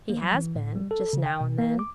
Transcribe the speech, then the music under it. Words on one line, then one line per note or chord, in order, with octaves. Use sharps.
'He has been--just now an' then.'
A#3
F#3
E3
A2
G3
A4
C#3
G5
B2
A#3
D6